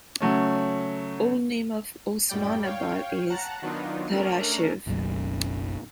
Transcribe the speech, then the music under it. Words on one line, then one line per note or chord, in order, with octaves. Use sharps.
Old name of Osmanabad is Dharashiv.
C#3 F#3 A3 C#4
F#2 A2 G3 D5 G5
C#5 F5 G5
F#5 A5 A#5 F#6
D#3 F#3 B3 D4 D#4 F4
A3 C#4 D4 A#4
F#1 B1 F#2